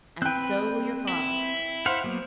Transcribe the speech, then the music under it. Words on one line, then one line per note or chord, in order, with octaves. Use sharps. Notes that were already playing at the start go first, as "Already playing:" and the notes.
"And so will your father."
C4 B4 G5 F#6
E4
C5 F5 F#5
F#3 A#3 B3